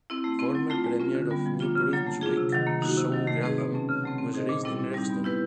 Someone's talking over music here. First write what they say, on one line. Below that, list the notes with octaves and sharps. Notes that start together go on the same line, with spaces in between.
Former Premier of New Brunswick, Shawn Graham, was raised in Rexton.
C4 E4
A3
C4 E4
F#3
A3 D4 F4
G#3
C#4 F4 A#4
D3
G3 B3
F3
A#3 D4 F4
C#3
F#3 A#3 D4
A3
D4 F4 G#4
C3
D#3 F#3
A#3
D#4 F#4
C3
D#3 F#3
A3
C4 D#4 G#4 B4
B2
F#3 A3 C#4
C#3
F#3 A3 C4
C4
D#4 G#4 C5 D#5
A#2
G3 C4 E4 A4
A#2
G3 C4 D#4 G4
B3
E4 G4 B4